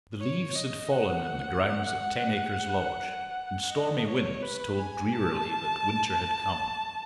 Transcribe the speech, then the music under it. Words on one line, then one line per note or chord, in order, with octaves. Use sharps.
THE leaves had fallen in the grounds at Ten Acres Lodge, and stormy winds told drearily that winter had come.
C#5
D#5
F#5
D#5
C#5
B4
G#5
A5